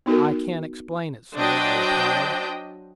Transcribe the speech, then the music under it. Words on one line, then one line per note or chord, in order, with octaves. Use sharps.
"I can't explain it, sir," I replied.
B3 D#4 F#4 A4 A#4
F#3 D4 C5 D5 D#5 G5